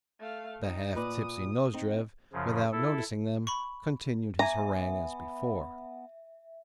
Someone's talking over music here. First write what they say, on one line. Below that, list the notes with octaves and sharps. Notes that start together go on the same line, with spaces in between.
The half-tipsy Nozdrev, without noticing them, continued his harangue as before.
A3 F5
D#4 G5
A#2 B4 D5 D#6
C4 D#4
F#2 C#3 F3
E4 A4
B5 C#6
B3 E5 G#5 A#5